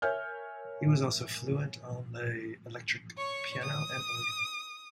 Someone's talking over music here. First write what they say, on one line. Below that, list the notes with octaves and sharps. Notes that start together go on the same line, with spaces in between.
He was also fluent on the electric piano and organ.
A#4 C#5 E5 G#5 F6 G6
C#5 C#6
D#6